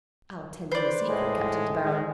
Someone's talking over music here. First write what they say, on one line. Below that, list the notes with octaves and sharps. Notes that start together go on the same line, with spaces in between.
I'll tell you a secret, Captain De Baron.
B4 C5 D5
A2 G#3
G#3